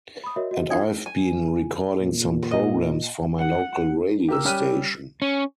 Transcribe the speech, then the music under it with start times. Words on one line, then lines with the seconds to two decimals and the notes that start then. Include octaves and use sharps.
And I have been recording some programmes for my local radio station.
0.24 B5 D#6
0.36 F#4 A#4 C#5 D#5 E5
0.51 F#4 D#5 E5
0.70 D4 F4 G5 G#5 D#6 G#6
1.06 G#5
2.00 A#2
2.51 D#5
3.39 F#5
4.28 G4 A#4 E6
4.45 G3 C#4 G4 F6 F#6 D#7
5.22 C#4